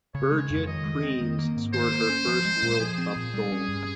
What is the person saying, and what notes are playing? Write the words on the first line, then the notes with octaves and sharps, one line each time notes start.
Birgit Prinz scored her first World Cup goal.
C#3 C#5
G#3
F2
D#3 D#5
G#3
C4
D#3
A#3
G#2
D#3 C5
A#3
C#4
F3
G#3
A#2
F3 G#4
C4
A#2
G3
C#4
G2